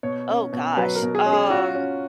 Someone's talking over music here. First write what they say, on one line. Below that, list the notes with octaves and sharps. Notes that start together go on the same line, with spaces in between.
Oh gosh. Um.
B2 C#5
C#4
B2
F#3 B4
A#4
B2
G#4
C#4
G#4
F4 F#4
C#4